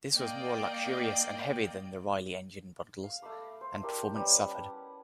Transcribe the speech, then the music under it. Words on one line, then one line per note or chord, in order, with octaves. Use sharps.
This was more luxurious and heavier than the Riley engined models and performance suffered.
A#3 D5 D#5 G5
F5
A3 F5 B5 D6
C5
D4 E4 G4 A#4
G3 C#4 B4
F#5 A5